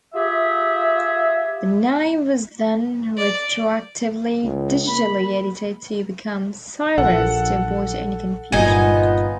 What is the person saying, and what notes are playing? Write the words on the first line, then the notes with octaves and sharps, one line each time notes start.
The name was then retroactively digitally edited to become "Cyrez" to avoid any confusion.
F4 G4 G#4 E5
D5
C#2
A#3 B5
A#1 A4 F#5
G1 A#2 B3 D#4 F4 G#5